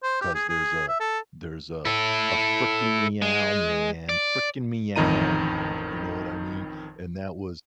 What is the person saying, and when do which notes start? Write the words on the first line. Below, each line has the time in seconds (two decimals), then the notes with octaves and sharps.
'cause there's a there's a a "freaking meow, man freaking meow" moment, you know what I mean? And that was
0.03 C5
0.21 G4
0.35 G#4
0.49 G#4
0.88 E5
1.00 A4
1.85 E4 A4
3.22 G#3
4.09 D5
4.96 A1 F2 D#3 D#4 A#5 D#7